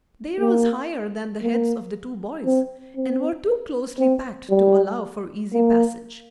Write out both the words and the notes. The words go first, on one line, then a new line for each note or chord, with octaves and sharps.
They rose higher than the heads of the two boys and were too closely packed to allow for easy passage.
A#3
A#3
C4
C4
C4
G3
A#3